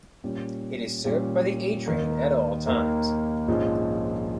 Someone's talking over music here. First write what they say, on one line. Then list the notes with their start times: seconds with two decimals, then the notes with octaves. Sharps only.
It is served by the A train at all times.
0.24 A#2 G3 C#4
1.05 A#2 G3 C#4
1.86 D#2 D#3 A#3
2.67 D#2 D#3 A#3
3.48 A#1 G#2 F3 G#3 C#4